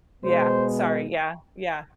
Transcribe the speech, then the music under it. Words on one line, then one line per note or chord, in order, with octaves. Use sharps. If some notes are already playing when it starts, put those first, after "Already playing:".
Yeah. Sorry, yeah, yeah.
B2 G#3 B3 C5